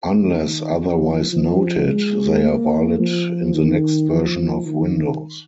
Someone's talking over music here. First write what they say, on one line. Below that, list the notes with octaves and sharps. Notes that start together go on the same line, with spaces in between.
Unless otherwise noted, they are valid in the next version of Windows.
D#3
F3
F3
G#3
A#3
F3
D#3
F3
D#3